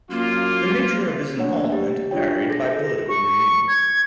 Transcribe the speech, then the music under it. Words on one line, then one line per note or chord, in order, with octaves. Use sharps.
The nature of his involvement varied by political regime.
F#2 A#3 F4
A3 A#3 D4 C#5 F#5
G4
D4 F4 C#5 G5
G#4 A4 A#6
C#6
G#6